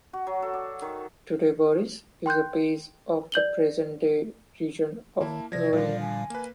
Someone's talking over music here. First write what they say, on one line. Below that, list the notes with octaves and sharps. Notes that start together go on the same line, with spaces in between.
Today "Barrois" is a "pays" of the present-day region of Lorraine.
F#4
F#3
A4
D5
D#3
G5 C6 F#6 G6
D5 G6 F#7 G7
D#3 A#3 E4 A5
C3 F3 D5 G#6 A#6
A#2 D3 F3 G3 F5
G#5
A#3 B4